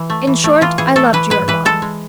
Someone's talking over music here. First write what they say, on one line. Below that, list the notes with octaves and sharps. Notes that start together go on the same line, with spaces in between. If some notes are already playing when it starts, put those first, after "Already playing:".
In short, I loved you, Armand.
Already playing: E3
A3
E3
A3
E3 F4
E3 G#4
A3 A4
E3 B4
G#3 B4
E3 B4
G#3 A4
G#3